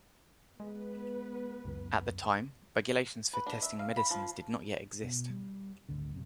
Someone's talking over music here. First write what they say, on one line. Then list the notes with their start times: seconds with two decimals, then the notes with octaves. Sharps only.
At the time, regulations for testing medicines did not yet exist.
0.60 G#3 B3 B4
1.65 C#2 F#2 C#3 F#3
3.33 B4
3.47 D4
3.62 E5
3.79 F5
3.97 B5
4.11 F3
5.04 B2
5.30 G3
5.89 G#1 D2 D3
6.12 F#2 C3